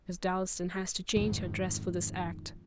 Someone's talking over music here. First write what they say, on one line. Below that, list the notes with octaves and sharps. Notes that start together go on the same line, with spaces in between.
"Miss Dalstan has to change her dress for this act."
F2 G#2 D#3 F3